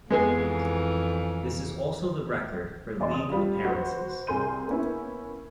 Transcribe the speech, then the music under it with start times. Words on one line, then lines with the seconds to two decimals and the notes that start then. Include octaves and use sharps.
This is also the record for League appearances.
0.10 F2 E3 G#3 B3 G#4
3.00 E2 D5 D#5 C6
3.14 D#6
3.30 F3 G3 F4
3.65 F#4 B4 C5
4.27 C2 G#4 A#4 C6 G6 D#7
4.68 A#3 B3 C#4 E4